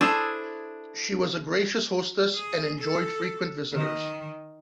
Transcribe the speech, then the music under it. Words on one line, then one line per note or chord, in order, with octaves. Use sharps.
She was a gracious hostess and enjoyed frequent visitors.
D4 E4 G#4 A4 C5
G#4
A4
D#3